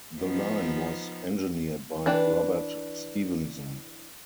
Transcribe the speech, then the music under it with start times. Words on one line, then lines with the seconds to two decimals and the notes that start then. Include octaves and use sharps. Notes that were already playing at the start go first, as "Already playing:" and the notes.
The line was engineered by Robert Stephenson.
0.20 F3 B3 D#4
2.06 E3 D4 B4 G5